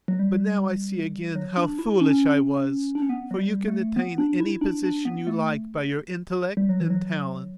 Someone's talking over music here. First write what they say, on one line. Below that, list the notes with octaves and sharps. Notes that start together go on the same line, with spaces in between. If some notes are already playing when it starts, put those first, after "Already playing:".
But now I see again how foolish I was, for you can attain any position you like by your intellect and talent.
F#3
G3
F#3
D4
E4
C#4
D4
C#4
B3
F#3
G3
A3
B3
D4
E4
D4
D4
B3
A3
G3
F#3
E3
F#3